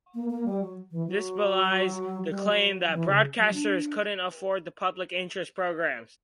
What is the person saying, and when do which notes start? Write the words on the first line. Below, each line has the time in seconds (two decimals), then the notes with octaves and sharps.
This belies the claim that broadcasters couldn't afford public interest programs.
0.15 A#3
0.30 A#3
0.46 G3
0.61 F#3
0.91 E3
1.07 F#3
2.26 F#3
2.30 G3
2.46 F#3
2.92 E3
3.08 C#3
3.39 F#3
3.54 D4